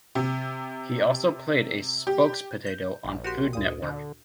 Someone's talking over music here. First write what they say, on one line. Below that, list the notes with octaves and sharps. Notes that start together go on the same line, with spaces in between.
He also played a spokes-potato on Food Network.
C3
G4
G6
A#1
F#4 G4 C6
D2 A#2 D#6
D3